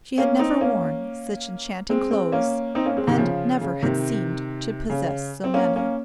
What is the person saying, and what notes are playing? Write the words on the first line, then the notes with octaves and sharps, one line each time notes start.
She had never worn such enchanting clothes and never had seemed to possess so many.
A#3 C#4
C4 D#4
A#3 C#4
G#3 C4
G#3 C4
A#3 C#4
C4 D#4
A#3 C#4
G#3 C4
C3 D#3
C#3 F3
C#3
C3 D#3
C#3
C4
A#3 C#4
A#3 C#4